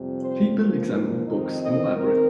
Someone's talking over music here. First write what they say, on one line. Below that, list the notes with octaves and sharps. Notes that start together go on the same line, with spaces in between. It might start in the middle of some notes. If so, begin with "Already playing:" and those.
People examine books in a library.
Already playing: F2 C3 G3
C5
G2 F3 A#3
F2 D#3 C4 D#4
D#5
D#3 C4 A#4